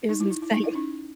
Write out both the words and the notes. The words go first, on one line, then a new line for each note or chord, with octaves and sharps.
It was insane.
D#4
E4
D#4
E4
D#4
E4
C#4 D#4